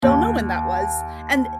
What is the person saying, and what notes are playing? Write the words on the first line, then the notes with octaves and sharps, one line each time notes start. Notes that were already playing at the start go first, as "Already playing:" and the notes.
don't know when that was, and,
D#2